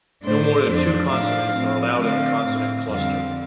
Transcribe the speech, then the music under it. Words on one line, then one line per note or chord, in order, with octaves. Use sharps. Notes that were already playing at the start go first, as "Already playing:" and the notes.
No more than two consonants are allowed in a consonant cluster.
A2 A3 D4 C5
F2 F3 D4
A2 F3 D4 F5
A2 F3 C4
D3 A3 C4 F5
A2 A3 C4
F2 D3 G3 C4 F5